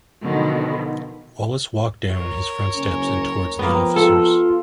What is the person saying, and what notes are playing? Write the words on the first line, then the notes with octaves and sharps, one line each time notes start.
Wallace walked down his front steps and towards the officers.
B2 D3 D#3 F3
A#4 C#5
F#1 C#4
F3 A#3 B3 G5 A#5
F4 A4